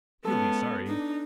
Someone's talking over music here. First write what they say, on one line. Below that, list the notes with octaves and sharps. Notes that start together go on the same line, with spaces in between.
"You'll be sorry!"
G#3 B3 C#4 A4
D4 D#4